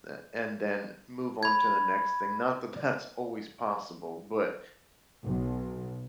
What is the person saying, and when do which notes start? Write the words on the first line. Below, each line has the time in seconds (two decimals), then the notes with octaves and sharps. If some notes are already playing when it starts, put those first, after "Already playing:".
a and then move on to the next thing, not that that's always possible, but
1.43 B5 G#6
5.25 B1